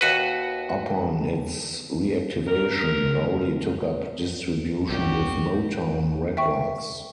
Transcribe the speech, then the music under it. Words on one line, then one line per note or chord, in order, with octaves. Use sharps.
Upon its reactivation, Rowdy took up distribution with Motown Records.
D#2 F#4 B4
A#4
C2 F#2 F#4 G4
E5 G5 C#6